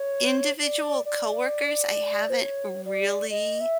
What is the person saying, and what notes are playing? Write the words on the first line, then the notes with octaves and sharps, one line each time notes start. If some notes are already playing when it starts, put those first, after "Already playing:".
individual coworkers, I haven't really
Already playing: C#5
D5
D5
C5
C#5
D5
D#5
E5